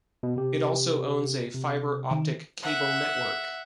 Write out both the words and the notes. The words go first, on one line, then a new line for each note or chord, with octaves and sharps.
It also owns a fibre optic cable network.
B2
C3 G4
C3
D#3
E5 F#5